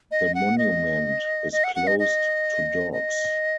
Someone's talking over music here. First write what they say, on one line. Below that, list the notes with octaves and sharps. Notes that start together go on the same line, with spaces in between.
The monument is closed to dogs.
D#5
F#5
D#5
D#5
F#5
F#5
D#5
D#5
D#5